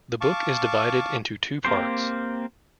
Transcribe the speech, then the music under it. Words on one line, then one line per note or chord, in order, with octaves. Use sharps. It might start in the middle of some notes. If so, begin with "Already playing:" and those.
The book is divided into two parts.
F5 A5 C#6 D6
A#3 C4 G4 C5